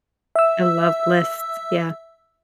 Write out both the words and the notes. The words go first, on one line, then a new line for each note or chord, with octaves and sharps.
I love lists. Yeah.
E5 E6